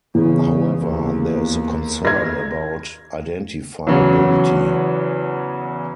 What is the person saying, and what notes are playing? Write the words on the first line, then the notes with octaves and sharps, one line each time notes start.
However, there is a concern about identifiability.
E2 C#3
D#2
G#6 A#6
E2 C#3 F#3